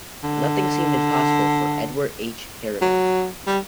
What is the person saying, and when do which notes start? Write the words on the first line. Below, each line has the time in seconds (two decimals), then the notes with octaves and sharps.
Nothing seemed impossible for Edward H. Harriman.
0.23 D3
2.82 F#3
3.47 G3